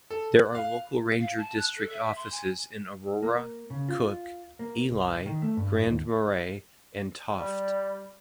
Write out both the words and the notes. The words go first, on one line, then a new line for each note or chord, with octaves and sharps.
There are local ranger district offices in Aurora, Cook, Ely, Grand Marais, and Tofte.
A4
F#6
F5
F5
A5
F#6
A4
E5
C6
G#5
A#3
C#3
F4
A#3
C2
D#3
A3
G2
D#2
G3